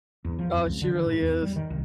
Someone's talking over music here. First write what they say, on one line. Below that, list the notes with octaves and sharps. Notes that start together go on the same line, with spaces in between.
Oh, she really is.
E2
F3
F2
C#2
D3
E3
G#2
E2
G3
D#3
C2